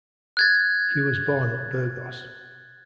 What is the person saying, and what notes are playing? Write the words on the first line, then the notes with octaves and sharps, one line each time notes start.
He was born at Burgos.
F#6 G#6 A6